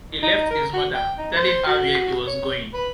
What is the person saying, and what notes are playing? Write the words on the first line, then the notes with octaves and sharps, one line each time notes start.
He left his mother, telling her where he was going.
D#4
A#4
F#4
G5
D#4
C5
F#4
C#5
B4